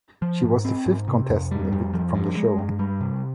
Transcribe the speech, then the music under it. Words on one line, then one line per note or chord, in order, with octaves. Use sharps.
She was the fifth contestant evicted from the show.
F3
G#2
C4
G#2
C3
F2
G3
F2
F3
G2
G#3
G2
G3
C3